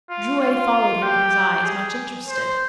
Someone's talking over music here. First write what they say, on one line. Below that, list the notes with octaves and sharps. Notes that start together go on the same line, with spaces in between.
Drouet followed him with his eyes, much interested.
F4
F4
G4
G#4
C5